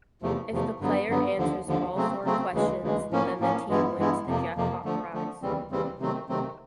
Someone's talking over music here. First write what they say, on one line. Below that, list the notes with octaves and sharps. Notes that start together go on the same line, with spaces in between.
If the player answers all four questions, then the team wins the jackpot prize.
E2 C3 F3 A3
E2 C3 F3 A3
G2 D3 F#3 B3
G2 D3 F#3 B3
D#2 D3 F3
D#2 D3 F3
C#3 F#3 A3 C4
C#3 F#3 A3 C4
D2 C#3 E3 G#3
D2 C#3 E3 G#3
A2 F3 A#3 C#4
A2 F3 A#3 C#4
G2 E3 G#3 B3 E4
G2 E3 G#3 B3 E4
F2 C3 F3 A#3
F2 C3 F3 A#3
D3 F3 A3
D3 F3 A3
D#2 C#3 E3 G3 C4
D#2 C#3 E3 G3 C4
C3 D#3 F#3 A3 C4
C3 D#3 F#3 A3 C4